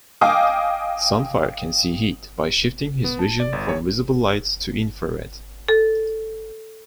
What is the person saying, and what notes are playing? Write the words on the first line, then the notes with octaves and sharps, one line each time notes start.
Sunfire can see heat, by shifting his vision from visible light to infrared.
D#5 F5 G5 G#5 D6 D#6
B3
A5
D5
G1
C#5
A4